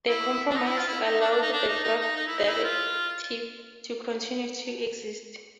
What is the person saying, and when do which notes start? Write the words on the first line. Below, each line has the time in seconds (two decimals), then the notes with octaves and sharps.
The compromise allowed the draft Directive to continue to exist.
0.09 E4
0.50 D4
0.56 D#4
0.67 E4
0.78 F4
0.88 E4
1.05 D#4
1.21 D4
1.31 D4
1.41 D#4
1.53 D4
1.68 D#4
1.84 D#4
2.01 D#4
2.16 D#4
2.27 E4
2.38 D#4
2.48 E4
2.64 F4